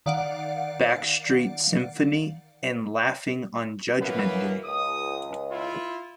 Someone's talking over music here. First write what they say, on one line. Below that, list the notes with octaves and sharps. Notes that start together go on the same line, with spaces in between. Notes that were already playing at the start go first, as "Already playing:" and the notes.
"Backstreet Symphony" and "Laughing on Judgement Day".
D#3 D5 F5 F#5 D7
F#2 E3 F#3 A#3 B3 B4
C#2 D#6
E4 F4